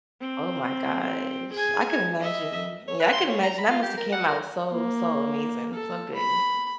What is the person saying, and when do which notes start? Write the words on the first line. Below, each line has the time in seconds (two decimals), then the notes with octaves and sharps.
Oh my gosh. I can imagine. Yeah, I can imagine. That must have came out so, so amazing, so good.
0.21 C4
1.53 G#4 G#5
2.21 D#5 E5
2.88 C#5
3.00 B4
3.13 C6
3.30 C#5
3.43 A#5
3.58 B5
3.71 F4
3.83 G4
3.97 A#4
4.12 F#5
4.28 A#4
4.72 A#3
5.74 A4
6.15 B5